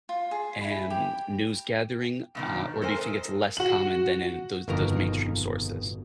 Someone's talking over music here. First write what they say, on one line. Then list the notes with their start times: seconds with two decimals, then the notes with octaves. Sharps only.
um, news gathering? Uh, or do you think it's less common than in those those mainstream sources?
0.09 F4
0.31 G#4
0.61 E4 B5
0.90 G4
2.35 G2 B2 D#3
2.82 A4 A#4 C5 G5 G#5
3.01 G#2
3.57 F#4 F#7
4.68 G1 F2 B2 D#3 A#4 A#5